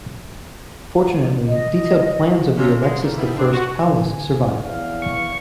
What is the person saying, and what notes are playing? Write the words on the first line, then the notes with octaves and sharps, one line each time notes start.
Fortunately, detailed plans of the Alexis I palace survived.
D#5
C3 F3 C#4
G#3
A3 A#3
E3 G3 B3 C4 D#4 E4
C4 D4
F#4
D3 G#5
A#1
E2 F5
C#6